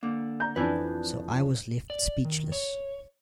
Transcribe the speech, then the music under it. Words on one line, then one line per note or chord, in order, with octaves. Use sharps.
So I was left speechless.
D3 A#3
A#5 G6
F2 E3 D4 B4 G#5
D5
D#3
C#5